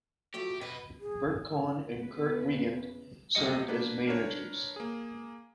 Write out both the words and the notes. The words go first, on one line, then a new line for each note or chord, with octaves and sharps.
Bert Conn and Curt Wiegand served as managers.
F3 F#3 A3 G4
B2 B4 D#5
G#4
E2 C#3 B4
B1 B2 G3 D#5 C#7
A#3 D4 B4
D4 A#4 B4 C#5
A#3 G#4